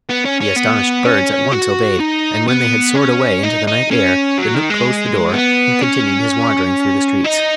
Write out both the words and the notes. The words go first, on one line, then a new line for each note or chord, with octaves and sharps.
The astonished birds at once obeyed, and when they had soared away into the night air the knook closed the door and continued his wandering through the streets.
B3
C#4
C#4
B3
C#4
F#4
D#4
B3
C#4
D#4
D#4
C#4
F#3
D#3
G#3
B3
C#4
D#4